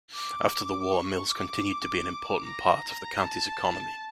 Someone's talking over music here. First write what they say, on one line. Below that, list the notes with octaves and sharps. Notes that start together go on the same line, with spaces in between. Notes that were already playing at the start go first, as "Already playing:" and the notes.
After the war mills continued to be an important part of the county's economy.
D6
C#6
D6
A#5
A5